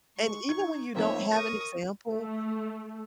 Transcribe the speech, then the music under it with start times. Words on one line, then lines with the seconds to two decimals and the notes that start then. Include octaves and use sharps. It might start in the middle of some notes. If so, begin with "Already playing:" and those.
And even when you don't have an example
0.17 G#3 C#6
0.49 D#4 G#6
0.95 F2 A#3 C4 D#4 C#5 E5
1.31 A#4 C#6 D#6 A#6
2.11 A3